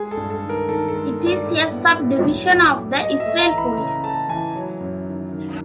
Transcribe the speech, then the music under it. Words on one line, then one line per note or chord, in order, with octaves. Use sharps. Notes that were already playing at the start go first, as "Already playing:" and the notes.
It is a subdivision of the Israel Police.
Already playing: G#3 G#4
A4
G2
A4
D#3
A#4
D#3 A4
A4
G#3
G2
D5
A2
B3
A2
F#3
A2
A2
A3 D#5
E5
A3
A#5
E3
B5
C#3 A#5
A3 A5
E3 G#5
F#3
F#2
D#3
D#3